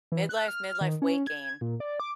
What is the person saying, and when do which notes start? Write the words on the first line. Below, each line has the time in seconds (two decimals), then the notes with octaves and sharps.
Midlife, midlife weight gain.
0.12 E3
0.29 F#6
0.48 F6
0.81 D#3
1.02 C#4
1.27 G#6
1.61 A#2
1.80 D5
2.00 D6